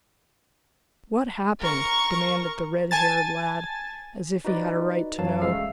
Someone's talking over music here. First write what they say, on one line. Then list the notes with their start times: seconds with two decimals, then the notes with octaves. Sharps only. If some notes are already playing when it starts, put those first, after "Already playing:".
"What happened?" demanded the red-haired lad, as if he had a right to know.
1.59 A#4 C#6
2.91 G#5 A5 A6
4.45 D#4 F#4 B4 D5 D#5
5.18 F#2 F#3 F5 A5
5.42 A1 C#3 G#3 A3 F5 E6